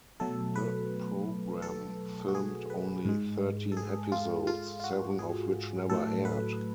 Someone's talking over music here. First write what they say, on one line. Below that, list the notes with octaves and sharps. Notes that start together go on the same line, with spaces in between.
The program filmed only thirteen episodes, seven of which never aired.
B2 F#3 A3 A4
B4
A4
F#4
G#4
B4
G#2 G#3
A4
G#4
F4
F4
F4
F#4
G#4
A2 F#3 A3 A4
B4